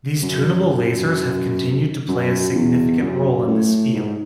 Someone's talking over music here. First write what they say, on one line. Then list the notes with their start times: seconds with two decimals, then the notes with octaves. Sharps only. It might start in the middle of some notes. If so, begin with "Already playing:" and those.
These tunable lasers have continued to play a significant role in this field.
0.23 F#2
2.08 F#2
2.55 E2
3.01 F#2
3.48 A2
3.94 G#2